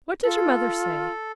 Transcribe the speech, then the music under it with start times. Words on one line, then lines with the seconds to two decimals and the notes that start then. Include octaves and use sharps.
What does your mother say?
0.24 F4 A4